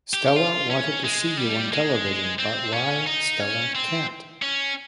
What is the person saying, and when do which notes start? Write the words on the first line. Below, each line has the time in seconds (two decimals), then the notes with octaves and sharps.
Stella wanted to see you on television, but why Stella can’t?
0.14 G4
0.27 G4
0.36 F4
0.70 C#4
1.04 G#3
1.37 G3
1.72 G#3
2.39 C4
2.72 C#4
3.07 D#4
3.40 C#4
3.75 C4
4.42 C#4